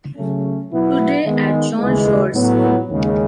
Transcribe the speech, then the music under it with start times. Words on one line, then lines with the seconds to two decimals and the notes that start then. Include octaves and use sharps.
Today at Jean Jaurès school.
0.16 C#3 F#3 A3 C#4
0.71 B2 F#3 B3 E4
1.25 D#3 G#3 B3
1.79 D#2 C#3 E3 G#3
2.34 A2 F#3 B3
2.88 D#2 C#3 G#3